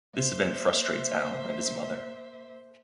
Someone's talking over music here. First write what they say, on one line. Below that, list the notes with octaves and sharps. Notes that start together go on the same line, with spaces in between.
This event frustrates Al and his mother.
A#3 C5 E5